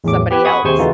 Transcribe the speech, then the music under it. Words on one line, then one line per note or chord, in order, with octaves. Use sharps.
somebody else
E2 A2 D6
B3 G4 B4 G#6
F#5 G#5 B5 C#6 D#6 G#6
D#2 C3 G#4 C5 G#5 C#6
C#3 E3 A3 D#4 F4 F#4